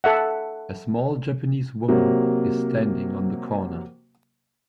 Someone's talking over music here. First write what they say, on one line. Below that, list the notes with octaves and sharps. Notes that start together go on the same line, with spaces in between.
A small Japanese woman is standing on the corner.
A4 E5 F#5
C3 F#3 A#3